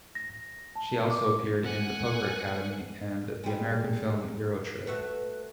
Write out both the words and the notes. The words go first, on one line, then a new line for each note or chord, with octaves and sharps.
She also appeared in "The Poker Academy", and the American film "Eurotrip".
A#6
A5
D6
F#5 G#5
G3 G#3
A3 F#4 B4 E5